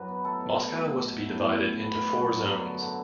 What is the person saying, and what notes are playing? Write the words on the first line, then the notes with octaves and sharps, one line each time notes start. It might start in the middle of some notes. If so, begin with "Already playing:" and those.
Moscow was to be divided into four zones.
Already playing: F#2 F#3 B4
B3
A3 A4
B2
B2
A3
A3
B2
A2
A2
A2
B3
B3
B3
F#2 F#4
F#2
F#2
D3
D3